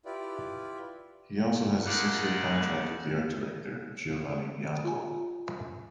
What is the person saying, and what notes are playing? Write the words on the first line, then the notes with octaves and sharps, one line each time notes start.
He also has a six-year contract with the art director, Giovanni Bianco.
E4 F4 G4 B4 D5
A#2 C#3 D#4 A4 D5 F#5
F4 G#5